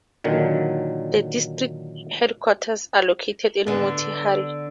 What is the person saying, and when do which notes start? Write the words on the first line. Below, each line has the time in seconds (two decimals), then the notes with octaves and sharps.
The district headquarters are located at Motihari.
0.24 A#2 D3 D#3 F#3
3.67 D3 B3